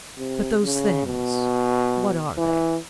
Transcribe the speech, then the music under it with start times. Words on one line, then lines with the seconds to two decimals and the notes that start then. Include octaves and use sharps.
"But those things--what are they?"
0.18 C3
0.63 C#3
1.06 B2
2.37 E3